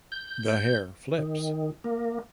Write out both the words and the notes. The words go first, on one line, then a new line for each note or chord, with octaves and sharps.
The hair flips!
G6
D#3
A#3